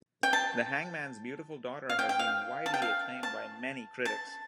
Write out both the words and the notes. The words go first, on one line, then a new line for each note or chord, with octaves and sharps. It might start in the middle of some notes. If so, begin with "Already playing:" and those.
"The Hangman's Beautiful Daughter" has been widely acclaimed by many critics.
G5
A5
F5
G5
G5
F5
A5
G5
F5
A5
A5